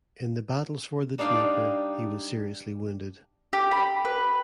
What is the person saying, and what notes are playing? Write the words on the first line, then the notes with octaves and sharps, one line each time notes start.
In the battles for the Dnieper he was seriously wounded.
G3 D4 D#4 F5 G5
G4
B5
B4